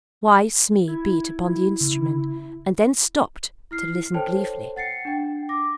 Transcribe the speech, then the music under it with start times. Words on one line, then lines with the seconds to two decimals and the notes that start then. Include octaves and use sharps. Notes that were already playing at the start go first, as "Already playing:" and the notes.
Twice Smee beat upon the instrument, and then stopped to listen gleefully.
0.88 E4 G#6
1.81 C#3
3.71 E4 F6 C7
4.14 A4 C5 C#5 G5 A5
4.76 F#5 A6 C7 C#7
5.05 D4 G5
5.49 D6 A#6